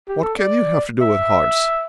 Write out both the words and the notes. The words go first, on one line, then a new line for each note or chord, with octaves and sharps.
What can you have to do with hearts?
G4
A4
D5
E5